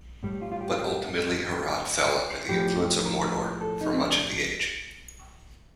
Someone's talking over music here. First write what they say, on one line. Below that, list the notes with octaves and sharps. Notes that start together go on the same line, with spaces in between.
But ultimately Harad fell under the influence of Mordor for much of the Age.
A2 G3
F4
F4
G4
F4
G4
A2 F3 G4
A#4
A4
D#4
C4
D4